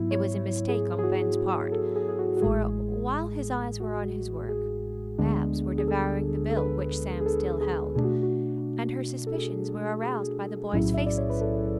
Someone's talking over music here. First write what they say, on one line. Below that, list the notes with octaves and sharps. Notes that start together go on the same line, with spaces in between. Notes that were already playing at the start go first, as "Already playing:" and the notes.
It was a mistake on Ben's part, for while his eyes were on his work Bab's were devouring the bill which Sam still held, and her suspicions were aroused by the boys' faces.
Already playing: G#2 F#3 B3 E4
C#5
G#4
G#4
F#4
A4
G#4
G#4
F#4
F#4
A1 A2 G#3 G#4
F#4
G#4
D2 D3 G#3 B3 D4
G#4
A4
A4
B4
G#4
A4
A4
G#4
B2 A3 D4 G#4
F#4
F#4
A4
G#4
G#4
B1 A2 F#3 C#4 E4
E5
D5
C#5
B4
A4